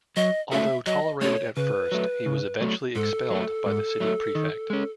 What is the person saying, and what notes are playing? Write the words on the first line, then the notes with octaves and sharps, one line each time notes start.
Although tolerated at first, he was eventually expelled by the City Prefect.
F#3 D#5
A3 C#4 F#4 A4 E5
F#3 D#5
A3 C#4 F#4 A4 C#5
C#3 B4
F#3 A3
C#3
F#3 A3
G#2 A4
F#3 A3
G#2
F#3 A3
D#3
G#3 C#4